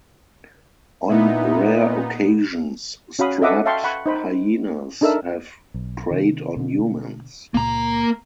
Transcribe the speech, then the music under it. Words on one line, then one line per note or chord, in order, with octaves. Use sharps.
On rare occasions, striped hyenas have preyed on humans.
A#2 B3 D#4 E4
C#4 F#4 F5 B5 D#6
A4 D#5 E5 F#5 D6 D#6
E5 F5 G5 A5 C6 C#6
F#5 B5 C#6
D#4 C5 B5
D4 D#4 A4 A#4 E5 E6
B1
C3 D#3
B2 D3
C#2 A#2 A#3 A#5